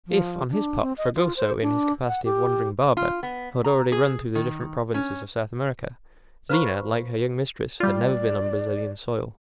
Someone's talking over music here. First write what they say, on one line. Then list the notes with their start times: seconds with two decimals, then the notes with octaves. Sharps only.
If, on his part, Fragoso, in his capacity of wandering barber, had already run through the different provinces of South America, Lina, like her young mistress, had never been on Brazilian soil.
0.07 F3
0.51 D4
0.82 C4
0.98 D#5
1.15 F4
1.37 C5
1.62 D4
2.07 F#5
2.25 G4
2.97 F4
3.23 B3
3.64 A#5
3.92 G#4
4.35 D#3
4.94 C#4
6.49 B4 C5 F5 A#5 B5 C#6
7.80 G3 F4 D5